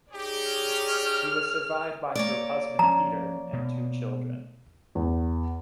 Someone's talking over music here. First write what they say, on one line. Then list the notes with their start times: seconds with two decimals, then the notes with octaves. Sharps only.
She was survived by her husband Peter and two children.
0.13 D#4 G4 G#4 C#5 D5
0.52 F6
2.15 A#3 C#5 D5
2.79 F3 C#4 A#5
3.53 B2
4.95 E2